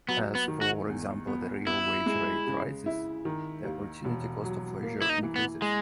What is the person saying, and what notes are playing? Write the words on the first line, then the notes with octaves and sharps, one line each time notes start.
As, for example, the real wage rate rises the opportunity cost of leisure increases.
F#3 B3
B3
D#3
F#4
E2
B3
B3 E4
G#3
C#3
E4
D#3
D#2
E1
F#3
A#3
E4
D#4
E3
B3
G#3